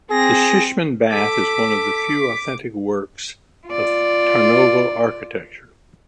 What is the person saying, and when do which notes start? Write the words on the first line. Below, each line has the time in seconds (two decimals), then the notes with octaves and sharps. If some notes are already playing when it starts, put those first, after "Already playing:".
The Shishman bath is one of the few authentic works of Tarnovo architecture.
0.11 C4 G#4 A#6
1.12 A4 D6 B6
3.67 F4 D5